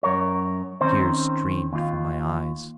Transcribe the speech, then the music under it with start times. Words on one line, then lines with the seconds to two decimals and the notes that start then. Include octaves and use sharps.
Tears streamed from my eyes.
0.03 F#2 A#4 C#5
0.81 D#3 C4 C#4 D#4 C5
1.73 D#2 F4